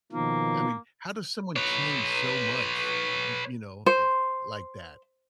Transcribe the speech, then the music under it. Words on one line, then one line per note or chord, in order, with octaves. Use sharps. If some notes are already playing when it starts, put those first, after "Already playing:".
I mean, how does someone change so much, eh, y you know, eh, like that?
B2 D#3 F3 A#3
B4 C#5
C5